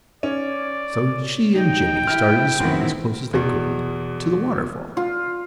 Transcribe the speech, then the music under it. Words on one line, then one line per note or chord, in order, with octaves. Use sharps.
So she and Jimmie started to swim as close as they could to the waterfall.
C#4 D5
D#4 G5
E4 F6
F#2 D#3 E3 B3 C4 E4
E2 B2
F4